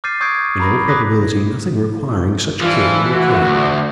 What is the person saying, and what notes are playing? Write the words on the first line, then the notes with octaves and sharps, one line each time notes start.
In all probability, nothing requiring such care will occur.
D6 F6 G6 A6 C7 D#7
C#6 D#6 G6 G#6 C7 D7
A#5 B5 D6 A#6
B5 D6 D#6 F#6 A#6 B6
E3 F3 G3 F4
A3 F#4
D2